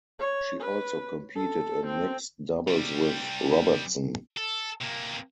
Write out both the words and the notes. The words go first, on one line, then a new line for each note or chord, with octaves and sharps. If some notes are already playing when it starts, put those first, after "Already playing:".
She also competed in mixed doubles with Robertson.
C#5
B4
A4
C4
C3 G3
A4
C3 A#3